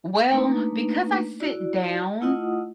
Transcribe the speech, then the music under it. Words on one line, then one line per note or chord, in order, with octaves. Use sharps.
Well, because I sit down
A3 A#3 D4 D#4 B4
E4 F#4 D5
A3 E4 F4 D#5 F#5 D#6